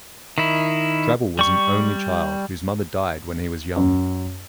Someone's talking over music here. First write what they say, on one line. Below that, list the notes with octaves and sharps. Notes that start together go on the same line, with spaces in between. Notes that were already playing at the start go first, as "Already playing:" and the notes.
Drabble was an only child, whose mother died when he was young.
D#3 E4
G3 C#6
F#2